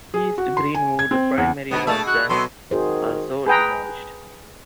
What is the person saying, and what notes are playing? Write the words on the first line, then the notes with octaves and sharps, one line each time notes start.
East Greenwood Primary was then also demolished.
G#4
F#4
C6
G#5
G#6
C4
E2
G#2 D3 B3
B2 A3 G#4 E5 A5
F#4 F#6
B2 F#3 A4 C6
D#3 F#4 G#4 C5
G#4 B4 G5 A#5